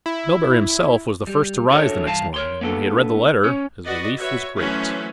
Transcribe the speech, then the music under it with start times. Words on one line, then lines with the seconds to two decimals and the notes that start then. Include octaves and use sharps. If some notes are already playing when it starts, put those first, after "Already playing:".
Melbury himself was the first to rise the next morning, and when he had read the letter his relief was great.
0.06 E4
1.27 G3
1.71 D4 F#4 A4 A#4 C#5 E5
2.06 G2 E3 F5 A5
2.34 A#4 C#5 C6
2.61 A#3 B3 D4 A4
3.44 C#4 C#5
3.84 F#4 B4 D5 D#5
4.19 F#4 B4 C#5 E5
4.58 E3 F#3 A3 C#4 B4 C5